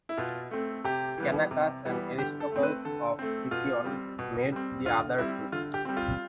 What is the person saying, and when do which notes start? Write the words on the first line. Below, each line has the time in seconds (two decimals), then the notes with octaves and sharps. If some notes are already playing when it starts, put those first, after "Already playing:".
Canachus and Aristocles of Sicyon made the other two.
0.09 E4
0.17 B2 F4
0.51 A3 C4
0.84 C3 G4
1.18 E3 G3 B3
1.51 C3
1.85 E3 G3 B3
2.18 D3 G4
2.40 A4
2.52 A3 C4
2.63 B4
2.85 D3 A4
3.19 A3 C4
3.51 B2 F4
3.85 G3 C4
4.19 B2
4.52 G3 C4
4.85 D3 F4
5.18 G3 C4 E4
5.52 D3 F4
5.74 G4
5.85 G3 C4
5.97 F4